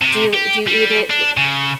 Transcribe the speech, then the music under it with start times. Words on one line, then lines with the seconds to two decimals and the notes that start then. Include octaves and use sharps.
Do you do you eat it l
0.02 C3
0.34 G4
0.67 G3
1.10 D4
1.37 C#3